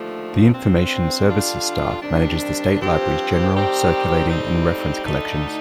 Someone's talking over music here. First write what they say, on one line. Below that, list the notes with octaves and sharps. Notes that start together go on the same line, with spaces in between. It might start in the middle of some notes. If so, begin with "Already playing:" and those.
The Information Services staff manages the State Library's general, circulating and reference collections.
Already playing: D#2 D3 F3 A3
G2 F3 C4
D3 G3 D4 F4
C3 D#3 G3 D4
G2 F3 C4 G4
D#3 G3 C4 G4
A2 G3 C4 D#4 G4
D2 D3 A3 D#4